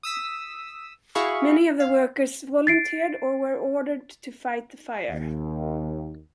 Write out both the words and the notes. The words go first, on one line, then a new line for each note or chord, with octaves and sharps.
Many of the workers volunteered or were ordered to fight the fire.
D#6 E6 B6
E4 F#4 G#4 F5 B5 C#6
F5
A6 C7 D7
D#2